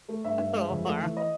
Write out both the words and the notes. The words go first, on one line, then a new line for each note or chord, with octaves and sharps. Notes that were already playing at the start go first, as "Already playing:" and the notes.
Oh, wow.
A3
G2 E5
G2
G#3
F2
A3
E3
D#5